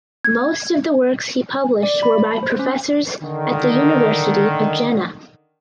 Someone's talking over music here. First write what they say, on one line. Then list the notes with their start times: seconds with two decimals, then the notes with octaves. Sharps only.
Most of the works he published were by Professors at the University of Jena.
0.24 G#6
1.83 D5
2.03 B5
2.43 C5
2.59 C#4
3.22 D3 D#3